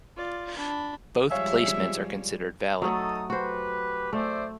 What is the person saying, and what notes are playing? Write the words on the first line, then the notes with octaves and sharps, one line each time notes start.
Both placements are considered valid.
F4 D5
D4 B5
F3 G3 G#3 C#5 E5 F5 G#5
F#3 A3 D#4 A4 D#6
F#4 G4 B4 C5
A3 C5 D5 E5